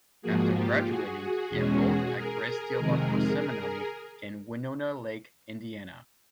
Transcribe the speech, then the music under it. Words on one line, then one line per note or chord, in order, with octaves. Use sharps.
After graduating he enrolled at Grace Theological Seminary in Winona Lake, Indiana.
G#2 F3 A#3 F#4 G#4
F4 G4
F#4 G#4
F#4 G#4
E2 B2 G#3 C#4 F#4 G#4
G#4 A#4
F2 C3 D#3 G#3